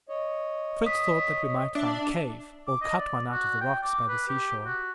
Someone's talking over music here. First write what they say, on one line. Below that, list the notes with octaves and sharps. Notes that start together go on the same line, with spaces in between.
Fritz thought that we might find a cave, or cut one out of the rocks by the sea shore.
C#5 D#5
D#6 B6
D4 E5
D6
D#5
D5
F#4
G5
D6
B4
G4
F#4